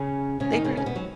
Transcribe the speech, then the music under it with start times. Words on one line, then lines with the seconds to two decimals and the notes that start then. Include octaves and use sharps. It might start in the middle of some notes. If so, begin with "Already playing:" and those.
they pretty m
Already playing: C#3 C#4
0.40 C#3 C#4
0.52 D#3 D#4
0.65 C#3 C#4
0.77 C#3 C#4
0.86 B2 B3
0.95 F#3